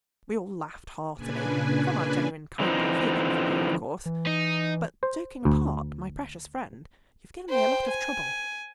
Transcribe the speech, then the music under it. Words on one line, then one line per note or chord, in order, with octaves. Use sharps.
We all laughed heartily--from our genuine kindly feeling for you, of course--but, joking apart, my precious friend, you have given me a lot of trouble.
A#2 C#3 D4 B4 G#5
D3 E3 F3 C4 D#4
E3
D#4
C5
D2
C5 G5
G#5